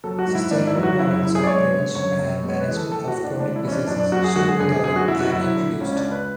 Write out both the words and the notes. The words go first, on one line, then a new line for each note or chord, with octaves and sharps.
Sustainable models of prevention and management of chronic diseases should be developed and introduced.
F#3 A4
F#4
G#2
E4
G#2 D4
E4
F#3
F#4
F#2 E4
E4
F#2 E4
G#4
D5
G#3 C#5
D3
F#2 C#5
F#2
G#3
C#5
B4
E3 G#4
A4
A2 A4
F#4
A2
D4
G#3 D4
E4
E3 C#4
D4
F#2 D4
D4
F#2 F#4
G#4
G#3 F#4
G#4
D3 G#4
G#4
F#2 G#4
F#4
F#2 E4
F#4
F#3 E4
D3
C#2 C#4
C#4
D4
C#2
B4